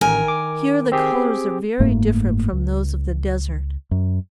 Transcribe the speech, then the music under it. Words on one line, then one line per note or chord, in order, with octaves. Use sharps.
Here the colors are very different from those of the desert.
A1 D#3 A#4 G#5
D6
C4 G4 G#4
F#1 G#2 A3 A#3
C#2
F#2